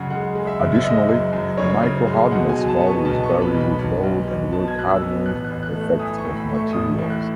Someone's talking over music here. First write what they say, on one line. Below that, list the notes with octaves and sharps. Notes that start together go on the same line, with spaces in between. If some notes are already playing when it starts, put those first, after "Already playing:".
Additionally, microhardness values vary with load and work-hardening effects of materials.
Already playing: F#2 C#3 G#3 F#5 C#6
G#3 F#5
G#3
E5
F#1
E5
G#3 D#5
F#2
F#2
C#3 C#5
C#3
G#3
B2 F#5
G#5
F#3
A5
B3
C#6
B1 A5
C#6
B3
B5
B1
B5
B1
B1
B1
B2 A5
G#6
B2 F#6
E6
B3
A1 F#6
F#6
A1
F#6
A3
F#6
E3 D#6
C#6
A2
B5
A3
C#6
A1 D#6
A2
F#6